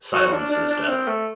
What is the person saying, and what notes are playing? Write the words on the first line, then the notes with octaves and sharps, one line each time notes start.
Silence is death.
F#4
D4
D4
D4
C4
A3